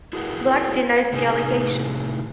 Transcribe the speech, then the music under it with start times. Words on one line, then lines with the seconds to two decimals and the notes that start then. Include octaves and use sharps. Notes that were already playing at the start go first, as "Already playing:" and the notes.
Black denies the allegation.
0.13 E4 F#4 G#4 A#4 B4 F#5
1.13 A2 C3 D#4 G#4 A#4 G#5